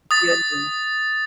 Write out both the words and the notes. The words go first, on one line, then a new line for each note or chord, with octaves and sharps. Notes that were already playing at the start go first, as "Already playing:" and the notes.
still new.
D#6 A6